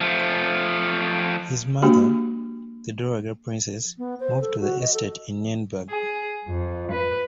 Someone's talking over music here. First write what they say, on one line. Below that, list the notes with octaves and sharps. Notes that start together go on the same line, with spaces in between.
His mother, the dowager princess, moved to her estate in Nienburg.
F3 A3
G#3 A#3 D4 F#4 G4
B3
C5
A4
F#4
D#5
A4
G#4
F2
B4